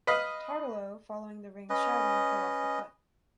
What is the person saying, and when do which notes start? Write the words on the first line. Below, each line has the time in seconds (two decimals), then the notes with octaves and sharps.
Tartalo, following the ring's shouting, fell off the cliff.
0.07 B4 D#5 F5
1.70 C#4 B4 D#5